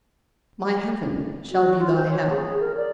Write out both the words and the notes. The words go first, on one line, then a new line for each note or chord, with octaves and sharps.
My heaven shall be thy hell.'
F#4
F4
C5
C#5
G#4
A#4
D5